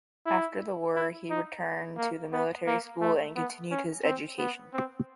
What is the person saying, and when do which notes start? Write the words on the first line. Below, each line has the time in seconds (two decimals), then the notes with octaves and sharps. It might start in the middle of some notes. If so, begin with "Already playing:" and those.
After the war he returned to the Military School and continued his education.
0.26 E4
0.95 E4
1.30 D#4
1.98 A#3
2.33 B3
2.67 A#3
3.01 A3
3.36 B3
3.71 C#4
4.04 C4
4.39 B3
4.74 C4